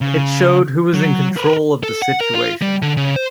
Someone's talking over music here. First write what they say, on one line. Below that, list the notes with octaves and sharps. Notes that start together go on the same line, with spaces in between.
It showed who was in control of the situation.
C#3
F#3
A#4 B4
A4
F#5
A#4
F4
G3
D3
C#3
C5